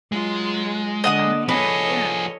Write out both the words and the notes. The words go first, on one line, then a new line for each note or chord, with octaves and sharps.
Oh, yeah, yeah.
F#3 G#3 F4
D3 D#5 F#5 D#6
F3 G#4 A4 B4 C#5 D#5